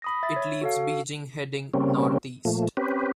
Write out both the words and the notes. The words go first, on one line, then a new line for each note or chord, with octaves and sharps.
It leaves Beijing heading north-east.
B5 D#6 A#6
E5 A6
C#5
F#4 A4 F5
C#3 G3 A#3 C4 C#4
A#2 F3 A3
C4 C#4 G4 B4